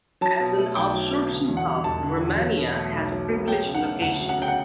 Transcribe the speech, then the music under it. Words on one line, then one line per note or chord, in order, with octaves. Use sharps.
As an outsourcing hub Romania has a privileged location.
F#3 A5
B2
A3
B1 G5
F#3
B2
D3
E2
F#5
G3
E1 A5
D3
E2
F#3
B2
A3
B1
F#3
B2
F#3 G5
C#3
F#5
A3
D2 F#5
F#3
F#5
C#3 G5
F#5